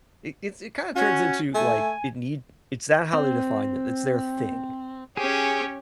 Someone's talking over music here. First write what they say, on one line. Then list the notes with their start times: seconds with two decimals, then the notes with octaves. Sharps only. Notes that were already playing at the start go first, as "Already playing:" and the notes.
It it's it kinda turns into, like it need it's that how they define it it's their thing,
0.96 C#4 F#4
1.54 A3 G#5
3.13 C4
5.17 C#4 G4 G#4 C#5